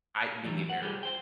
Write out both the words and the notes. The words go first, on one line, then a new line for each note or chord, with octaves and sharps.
I me either.
E3 F#3 G3 A3
F#5
G3 F4 G4 G#4
C5 G5